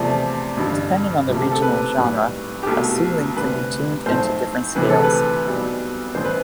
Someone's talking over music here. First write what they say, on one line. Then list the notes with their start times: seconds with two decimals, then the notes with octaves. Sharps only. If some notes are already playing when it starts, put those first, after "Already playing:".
Depending on the regional genre, a suling can be tuned into different scales.
Already playing: E2 C3 F3 A3 D5
0.57 A1 G2 D3 G3
1.28 C2 C3 F3 A3
1.41 G4
1.52 A4
1.62 B4
1.97 B1 A2 G3
2.63 G4
2.66 C2 B2 A3 A4
3.36 D2 C3 G3 B4
4.06 B1 A2 F3 A3 C5
4.75 D2 C3 E3 B4
4.90 A4
5.03 B4
5.45 B1 B2 G3
6.15 A1 A2 E3 C5
6.25 B4